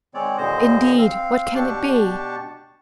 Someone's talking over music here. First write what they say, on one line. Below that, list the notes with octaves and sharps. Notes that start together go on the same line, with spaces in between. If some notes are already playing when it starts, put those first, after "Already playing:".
"Indeed! what can it be?"
D#3 G#3 C4 C#5 D5
D#2 A#2 D3 C5 D#5
C4 F5
B2 D4 G4 A5 C#6